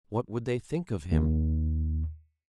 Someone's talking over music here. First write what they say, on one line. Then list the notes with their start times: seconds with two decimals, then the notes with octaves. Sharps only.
What would they think of him?
1.11 D#2